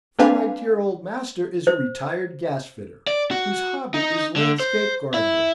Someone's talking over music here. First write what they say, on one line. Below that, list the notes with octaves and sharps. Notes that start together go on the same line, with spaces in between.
For my dear old master is a retired gas-fitter whose hobby is landscape gardening.
A#3 C4 D4 B4 F5 G#5
C5
D5
F#4
D#4
D3
C5
E4